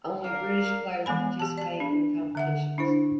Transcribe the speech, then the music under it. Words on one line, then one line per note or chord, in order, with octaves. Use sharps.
Only British players participated in the competitions.
D4 A#4 F5
E3 G#3 B3 G#5 B5
G4 A5
D5 A5
D4
D3 E5 F#5
D4 E4 C5